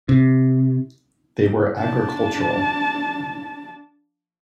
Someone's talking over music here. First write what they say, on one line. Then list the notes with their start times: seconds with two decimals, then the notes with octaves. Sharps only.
They were agricultural.
0.09 C3
1.78 D4 A5